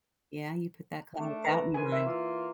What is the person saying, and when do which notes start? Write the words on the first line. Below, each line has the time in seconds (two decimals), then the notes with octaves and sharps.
yeah, you put that cloud of doubt in your mind.
1.18 A3 D4
1.45 B4 A#5
1.74 D#3 E3 C4 G#5
1.92 E5
2.04 E3 A#3 F4